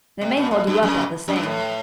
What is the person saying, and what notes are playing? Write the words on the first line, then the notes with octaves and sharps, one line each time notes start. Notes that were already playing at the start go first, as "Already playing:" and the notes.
They may hold you up all the same.
C3
B2
A2
G2
F#2
F#2
G2
A2